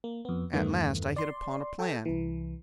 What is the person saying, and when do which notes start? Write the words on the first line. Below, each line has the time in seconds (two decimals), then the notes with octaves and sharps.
At last I hit upon a plan.
0.04 A#3
0.25 F2 B3
0.54 E2 G2 D#3 A3 B3
1.16 D5 C6
1.79 A4 G5
2.06 C2 E3